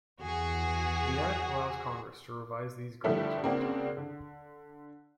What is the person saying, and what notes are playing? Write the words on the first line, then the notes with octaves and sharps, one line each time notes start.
The Act allows Congress to revise these goals over time.
E2 F#4 G#4
D3 F3 G3 A3 D4 E4
C#3 A#3 C4 D4 F#4
D3